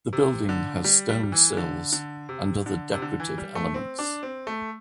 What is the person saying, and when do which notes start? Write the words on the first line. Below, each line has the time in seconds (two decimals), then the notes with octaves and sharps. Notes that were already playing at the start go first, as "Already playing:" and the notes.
The building has stone sills and other decorative elements.
0.13 C3
0.49 D3
0.84 G3
1.09 G3
1.23 G3
1.32 E3
1.57 D3
1.92 D3
2.29 C3
2.66 D3
2.93 C3
3.02 D3
3.20 E3
3.38 G3
3.55 A3
3.74 C4
3.99 D4
4.23 C4
4.47 A3